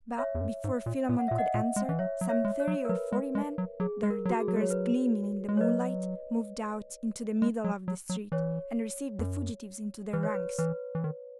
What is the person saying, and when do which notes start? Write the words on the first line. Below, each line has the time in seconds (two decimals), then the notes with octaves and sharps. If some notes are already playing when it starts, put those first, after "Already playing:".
But, before Philammon could answer, some thirty or forty men, their daggers gleaming in the moonlight, moved out into the middle of the street, and received the fugitives into their ranks.
0.18 C#5 E5
0.35 E2
0.41 F#2
0.64 G#2
0.86 A#2
1.09 A#2
1.19 F#5
1.28 A#2 E5
1.38 D#5 F#5
1.54 A#2
1.76 G#3
1.89 E3
1.99 F#3 C#5 E5
2.21 F#3
2.29 C#5 E5
2.45 G#3
2.60 C#5
2.68 F#3
2.85 A#4
2.89 F#3 B4
3.12 G#3
3.35 G#3
3.58 F#3
3.80 F#3 G#4
4.03 G#3
4.10 A#4
4.25 F#3
4.29 F#4
4.40 G#4
4.48 F#3
4.56 G#3
4.61 F#3 C#5
4.70 B4
5.49 G#3
5.57 C#5
5.60 F#3 B4 D#5
7.42 G#3
7.64 F#3
7.88 F#3
8.10 F#3
8.32 E3 C#5
9.19 E2
9.23 F#2
10.13 E3 B4
10.23 C#5
10.34 B4
10.59 E3 B4
10.95 E3
11.04 D#3